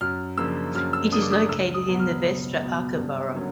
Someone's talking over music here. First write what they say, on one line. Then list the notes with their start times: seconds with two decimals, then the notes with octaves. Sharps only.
It is located in the Vestre Aker borough.
0.01 F#2 F6
0.38 C#3 F3 A#3 D4 E6
0.75 F#2 F6
0.93 E6
1.12 C#3 F3 A#3 D4 D#6
1.22 D6
1.31 D#6
1.49 C#2 E6
1.74 D#6
1.86 B2 F#3 B3
1.99 F6
2.23 C#2
2.61 B2 F#3 B3
2.97 G2
3.35 D3 F#3 A#3 C#4